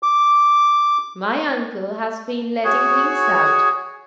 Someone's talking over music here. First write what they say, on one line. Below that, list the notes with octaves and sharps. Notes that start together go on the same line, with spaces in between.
'My uncle has been letting things out.
D6
F#4 G#4 C#5